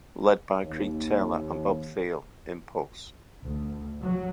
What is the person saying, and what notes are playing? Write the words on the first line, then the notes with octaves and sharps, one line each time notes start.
Led by Creed Taylor and Bob Thiele, Impulse!
D#2
D2
F#3